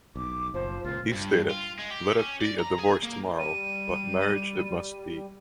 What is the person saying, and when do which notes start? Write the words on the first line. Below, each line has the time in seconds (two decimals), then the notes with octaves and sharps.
He stated, Let it be a divorce tomorrow, but marriage it must be!
0.16 B1 D6
0.54 F#1 F3 C5
0.84 C#2 A#2 F4
1.14 G2
1.51 F4
1.79 G#3
1.90 G4
2.19 C#4
2.41 D5
2.60 A#5
2.79 G#4
3.03 A#3
3.39 G3 D#7